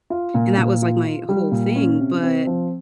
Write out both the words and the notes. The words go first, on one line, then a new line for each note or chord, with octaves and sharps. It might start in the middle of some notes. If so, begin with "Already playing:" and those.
and that was, like, my whole thing. But
F4
A#2
A#2
F4
F4
G3
A#2
C#4
C3
C4
F3